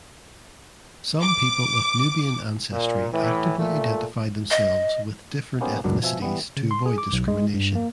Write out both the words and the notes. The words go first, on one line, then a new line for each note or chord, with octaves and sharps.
Some people of Nubian ancestry actively identify themselves with different ethnicities to avoid discrimination.
D6
A#2
A2 E3
A#2 A3
D#5
A#3 B3 C#4 D#4 G4 C5
C#2 F#2 B2 F#3 D4
B2 F3 E5 G#5
E3 G3 B3
C#3
C6
G#4
D6
B1
G#3
G2
A#3